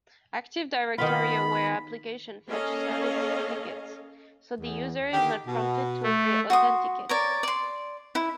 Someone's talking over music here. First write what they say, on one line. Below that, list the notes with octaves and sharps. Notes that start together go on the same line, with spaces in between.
Active Directory-aware applications fetch service tickets, so the user is not prompted to re-authenticate.
D#3 B3 F4 B5
A#3 C#4 A4 C#5 D#5 F5
E2
D3 D#3 G4
B2
A3
F#4 C6 D#6
A#4 C#5 D5
D5 C6
E4